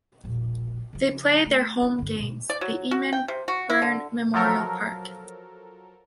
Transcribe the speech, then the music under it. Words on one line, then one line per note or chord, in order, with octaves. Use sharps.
They play their home games The Eamon Byrne Memorial Park.
E1 A#1
C#3 F3
A3
E4
G2 D3
B2
D5
F#3
F#4
G5
C3
F#4
E4
D3
F3 F#3 A4 A#4